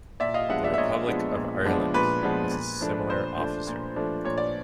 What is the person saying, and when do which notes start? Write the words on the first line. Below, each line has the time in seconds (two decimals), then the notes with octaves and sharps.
The Republic of Ireland has a similar officer.
0.20 A#2 D5 E5
0.34 D#5 F5
0.49 F3 G#3 B3 D4 E5 F#5
0.63 D5 E5
0.74 E5
0.78 A#2 C#5 D#5
1.07 F3 G#3 B3 D4
1.36 A#2
1.65 F3 G#3 B3 D4
1.94 A#2 B4
2.23 F3 G#3 B3 D4
2.51 A#2
2.81 F3 A3 D4
3.09 A#2 C5
3.38 F3 A3 D4
3.67 A#2
3.96 F3 A3 D4
4.24 A#2 C#5
4.38 D5